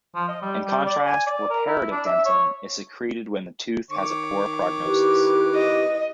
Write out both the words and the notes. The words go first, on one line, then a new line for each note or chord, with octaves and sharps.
In contrast, reparative dentin is secreted when the tooth has a poor prognosis.
F3
D#5
G3
G3
D5
G#5
D5
A#4
E4
D4
E5
C#5
D#3 C#5 D6
E4 G4 B4
D#5